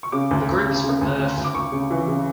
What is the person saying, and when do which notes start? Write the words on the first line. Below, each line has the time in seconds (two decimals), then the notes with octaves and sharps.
The group is from Perth.
0.03 C#6
0.12 C#3 D6
0.31 D2
0.48 D2
0.66 C#3
0.84 C#3
1.01 D2
1.19 C#3
1.37 D2
1.45 D6
1.55 D2 C#6
1.72 C#3
1.90 E3
2.08 C#3